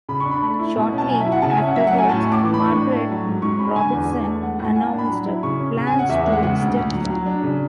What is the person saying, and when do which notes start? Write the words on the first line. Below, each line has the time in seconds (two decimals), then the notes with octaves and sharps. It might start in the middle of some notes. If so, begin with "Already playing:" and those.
Shortly afterwards, Margaret Robertson announced plans to step down.
0.09 C#3 B5
0.20 C#6
0.25 D4
0.31 B5
0.42 A3
0.59 E4
0.76 B2
0.93 C#4
0.98 A5
1.09 F#3 G#5
1.21 E5
1.26 E4
1.32 F#5
1.42 C#3 A5
1.51 G#5
1.59 C#4 E5
1.67 F#5
1.76 F#3 E5
1.87 F#5
1.92 C#4
1.98 G#5
2.09 A2 A5
2.20 C#6
2.26 A3
2.32 D6
2.43 E3
2.54 B5
2.59 D4
2.65 C#6
2.75 A2
2.92 A3
3.09 F#3
3.26 G#2
3.42 G#2 C#6
3.59 C#4 B5
3.75 D3 G#5
3.93 E2
4.10 E2
4.26 A3
4.43 G#3 F#5
4.59 A2 F#5
4.76 A2 G#5
4.87 A5
4.93 D4
4.98 B5
5.10 F#3
5.26 E4
5.43 C#3 C#6
5.60 C#4
5.77 C#3
5.87 G#5
5.93 C#4
5.99 F#5
6.09 E2 E5
6.21 E5
6.26 G#3
6.32 F#5
6.43 C#3 F#5
6.60 D2
6.76 D2
6.93 F#3
7.10 F#3
7.26 D4
7.43 C#3